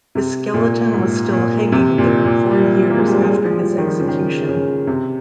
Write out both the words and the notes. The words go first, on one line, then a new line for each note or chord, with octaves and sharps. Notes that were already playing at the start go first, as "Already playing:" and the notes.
His skeleton was still hanging there four years after his execution.
C3
A#2
G#2
A#2
C3
A#2
A#2
G3
A#3
G#3
G3
G#3
G#3
F3
G3
D#3
F3
C#3
D#3
C#3
C3